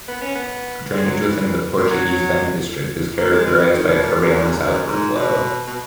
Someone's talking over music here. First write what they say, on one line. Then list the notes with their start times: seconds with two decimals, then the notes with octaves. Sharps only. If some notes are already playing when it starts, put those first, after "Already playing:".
Drainage within the Portuguese Bend district is characterized by a prevailing southward flow.
0.08 B3
0.21 C#4
0.35 B3
0.93 G#3
1.06 F#3
1.20 E3
1.77 A#2
1.90 F#3
2.05 F#3
3.18 A#3
3.33 G#3
3.46 E3
3.74 D#3
3.88 B2
4.03 A#2
4.17 F#2
4.30 E2
4.40 F#2
4.50 E2
4.59 F#2
4.88 G#2
5.15 B2
5.67 B2